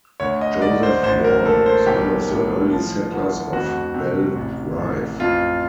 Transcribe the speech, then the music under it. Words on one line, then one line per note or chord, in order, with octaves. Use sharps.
Joseph Wall was one of the early settlers of Belle Rive.
D2 C#5
D#5
D2 D5
C5
A1 C5
A#4
A#3 A4
C5
B1 G4
A2
F3
D2
F2 F#4
C3
A1
A1
F2 F4